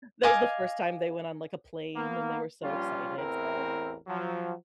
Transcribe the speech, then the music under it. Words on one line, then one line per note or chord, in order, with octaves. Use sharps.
that was the first time they went on, like, a plane and they were so excited, so
D#5 F5 G#5 D6
A#3 B3
A#1 G3 C#4 F4
A1 E2 C4 E4 A#4
F3 F#3